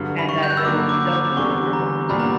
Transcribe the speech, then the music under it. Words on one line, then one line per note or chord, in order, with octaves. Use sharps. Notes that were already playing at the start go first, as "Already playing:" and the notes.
and that, then, does mean that you're booked.
Already playing: G2 D3 F#3
B5
C#6
G6
F#6
E6
D3 F#3 A#3 D6
D6
D6
E2 D3 G3 C#6
A#5
A#2 G3 B3 D4 F#4 B5
A#5